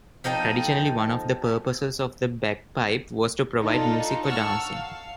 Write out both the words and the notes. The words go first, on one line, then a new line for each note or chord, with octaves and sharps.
Traditionally, one of the purposes of the bagpipe was to provide music for dancing.
F3 D#4 A4 G5
D4 D#4 F4 A4
F#5 A5 C#6 E6 F6
F5